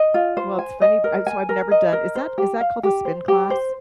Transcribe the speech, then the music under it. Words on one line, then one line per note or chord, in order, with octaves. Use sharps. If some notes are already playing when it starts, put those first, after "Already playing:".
Well, it's funny b so I've never done is that is that called a spin class?
Already playing: D#5
F4
C5
G#5
D#5
A#4
G#5
A#4
D#5
A#4
C5
G4
F5
G4
C5
G4
C5